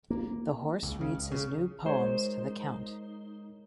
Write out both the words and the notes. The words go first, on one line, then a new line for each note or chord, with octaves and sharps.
The horse reads his new poems to the Count.
A#3
C#2
C#3
C#2
C#3
G#3 D#4 A#4 C5 C#5